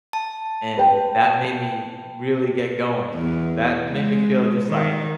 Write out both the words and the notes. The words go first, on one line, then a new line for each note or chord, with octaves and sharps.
and that made me really get going. That made me feel just like,
A5
B4 G5
E2
G#3
D#3